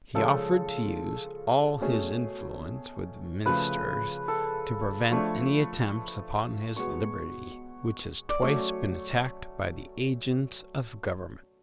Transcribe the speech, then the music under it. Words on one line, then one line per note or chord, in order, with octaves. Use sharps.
He offered to use all his influence with the ministers to prevent any attempts upon his liberty, which has twice been attacked by the agents of government.
C#3 F3 G#3 C#4 F4 A4
B2 A3 C#4 G#4
C#3 F3 A3 B4
A4
F3 A3 D4 C#5
B2 G#3 B3 C#5
D5
F#3 A3 C#4 C#5